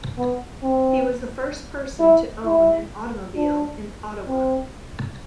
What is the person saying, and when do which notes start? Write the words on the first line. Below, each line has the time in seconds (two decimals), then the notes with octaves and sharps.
He was the first person to own an automobile in Ottawa.
0.18 B3
0.63 C4
2.00 E4
2.46 E4
3.36 D4
4.28 C4